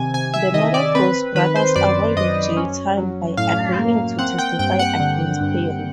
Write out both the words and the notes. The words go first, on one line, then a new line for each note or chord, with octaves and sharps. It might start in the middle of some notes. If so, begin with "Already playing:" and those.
The Maragos brothers avoided jail time by agreeing to testify against Perry.
Already playing: C3 D#3 G#5
C3 G#5
E5
D#3 D#5
D5
C4 B4
D#3 B4
C5
F#2 D5
F#2 D#5
C#4
F#3
A2 F5
A#3
C4 F#5
G5
G2 G5
F#5
D3
G2